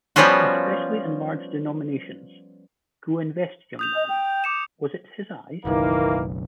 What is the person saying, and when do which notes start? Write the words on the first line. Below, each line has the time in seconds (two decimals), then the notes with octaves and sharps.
Especially in large denominations", "Go invest, young man", "Was it his eyes?
0.16 F3 G3 B3 C#4 F4 F#4
3.79 D#6 G6 F7
3.95 D#5
4.09 G5
4.44 D6 C#7 E7
5.65 F#1 B1 D#3 E3 A#3